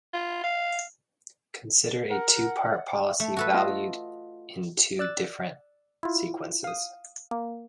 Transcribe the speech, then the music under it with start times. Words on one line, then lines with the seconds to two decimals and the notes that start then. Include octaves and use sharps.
Consider a two-part policy valued in two different sequences.
0.14 F4
0.44 F5
2.11 A#4 F#5
3.20 A3
3.37 F#4 A4 B4
3.54 F4 D#5 F5
4.99 D5 E6 F#6 A6
6.03 E4 F4
6.64 F5 D#6
7.31 A#3